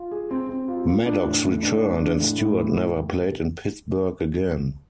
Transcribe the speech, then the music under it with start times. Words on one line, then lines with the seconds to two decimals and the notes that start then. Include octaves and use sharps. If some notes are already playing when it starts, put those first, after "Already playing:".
Maddox returned, and Stewart never played in Pittsburgh again.
Already playing: F4
0.11 G#4
0.31 C4
0.49 C4
0.68 F4
0.87 F4
1.06 D4
1.25 A2
1.44 A2
1.63 D4
1.82 D4
2.01 D4
2.20 A2
2.38 A2